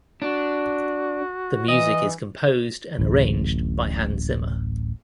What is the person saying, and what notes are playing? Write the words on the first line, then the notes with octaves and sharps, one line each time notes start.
The music is composed and arranged by Hans Zimmer.
D4 F#4
E3 D#5
D1 A1